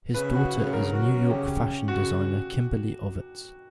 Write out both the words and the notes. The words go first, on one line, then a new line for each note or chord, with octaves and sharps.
His daughter is New York fashion designer Kimberly Ovitz.
C#3 B4
F#4
C#3
F#3 A#4
F#4
C#4
C#3 G4
C#4
C#4
C#3 F#4